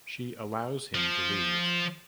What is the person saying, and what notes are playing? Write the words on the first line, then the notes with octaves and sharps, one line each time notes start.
She allows him to leave.
F3